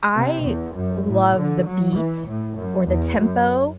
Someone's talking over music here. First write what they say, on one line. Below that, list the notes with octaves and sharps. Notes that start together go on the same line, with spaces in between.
I love the beat or the tempo,
C3
E2
F#2
A2
D3
F#3
E3
A2
F#2
E2
F#2